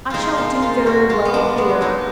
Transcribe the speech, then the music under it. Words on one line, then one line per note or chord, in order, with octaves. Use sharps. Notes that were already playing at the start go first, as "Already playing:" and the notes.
I shall do very well here.
G#3 D#4 F4
A#2 F4
A#2 F4
A#2 F#4
G#3 F4
B3
G#3 D4
G#3 B3
G#3 D#4